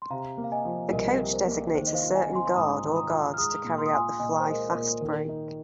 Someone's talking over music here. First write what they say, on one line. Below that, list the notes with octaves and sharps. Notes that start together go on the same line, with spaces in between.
The coach designates a certain guard or guards to carry out the Fly fastbreak.
C6
C3 F5 A#5
A#3
F5
D#5 G#5
F3
C2 A#4 D#5
C3 A#4
C5
A#3
D#3 C5
D#5
C5 F5
F4
D#5 G#5
C4
G#5 C6
C6
G#2 A#5 D#6
D#3
A#5 D#6
F4
F6
G#3 A#5 D#6
A#2
C6
D#6
F4 G#5 C6
A#2 D#5 G#5
C5
G#3 A#4 D#5
A#2 A#4
D#3 A#4
D#4